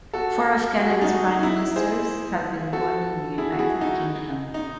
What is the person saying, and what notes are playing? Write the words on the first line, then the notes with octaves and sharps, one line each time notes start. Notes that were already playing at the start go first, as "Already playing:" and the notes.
Four of Canada's Prime Ministers have been born in the United Kingdom.
F#4 A4
F#4
G#4
D#4 F#4
D#4
E4
G#4 C5
F#4 A4
E4 G#4
F#4
E4 G#4
D#4 F#4
D#4